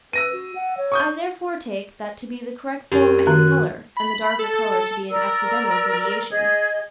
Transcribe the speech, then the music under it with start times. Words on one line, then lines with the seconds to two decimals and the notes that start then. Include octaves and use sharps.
I therefore take that to be the correct form and colour, and the darker colour to be an accidental deviation.
0.13 B4 E6 A#6 D#7
0.33 F#4
0.55 F#5
0.77 C#5
0.92 C#6 D#6 G6
2.92 F#2 G4
3.27 D#3 F#4 F#6
3.97 B5
4.39 A4
5.10 A#4 D5 E6
6.30 G#4 D#5